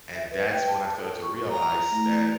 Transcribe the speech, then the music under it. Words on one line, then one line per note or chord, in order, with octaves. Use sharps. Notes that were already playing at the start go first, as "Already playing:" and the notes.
and that's when I started to realize that
E5
B4
G5
A5
A4
C#6
A#5
A3 E4